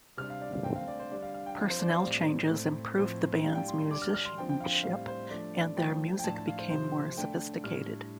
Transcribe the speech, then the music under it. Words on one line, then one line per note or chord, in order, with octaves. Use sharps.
Personnel changes improved the band's musicianship and their music became more sophisticated.
C3 G3 D4 F6
F5
D5
F5
D3 A3 C4 G5
F5
D5
C5
D3 G3 D4 D5
F5
F5
G5
F3 C4 F5
C5
D5
F5
A2 G3 C4 D5
A2 A3 C4
A2 F3 C4 C5
A2 G3 D4 F5
G5
C6
C6
D3 G3 D4 D6
F6
F6
C6
D3 F3 C4 G5
G5
F5
C5
A2 G3 C4 F5
C5
F3 A3 D4 D5
D5
F3 A3 D4 G5
G5
A2 F3 D4 A5
A5
F5
C5
C3 F3 C4 C5
D3 A3 D4 G5
A2 G3 D4 F6